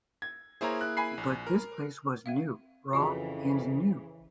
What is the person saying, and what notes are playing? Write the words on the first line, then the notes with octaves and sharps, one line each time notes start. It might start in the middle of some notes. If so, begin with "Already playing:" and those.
But this place was new, raw and new.
G#6
A#3 E4 G#4 C5 C#5 A#5
F#6
G#5 B5 C7
A#1
A#4
C4 E5 F5
F2 C#3 E3 F4 F#4 G#4